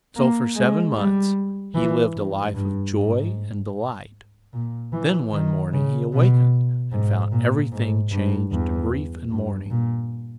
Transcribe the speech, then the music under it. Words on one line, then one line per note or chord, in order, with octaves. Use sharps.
So for seven months he lived a life of joy and delight; then one morning he awakened and found everything changed to grief and mourning.
A#3
G#3
G3
E3
G2
G2
G#2
A#2
E3
D#3
C#3
B2
G#2
A#2
G#2
G2
E2
G2
A#2